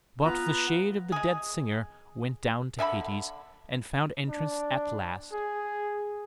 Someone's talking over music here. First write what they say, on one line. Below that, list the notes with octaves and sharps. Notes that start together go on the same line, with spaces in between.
But the shade of the dead singer went down to Hades, and found entrance at last.
B3 F4 B4 A#5
G#3 G#4
D3 E5 G#5 B5
D4
G#4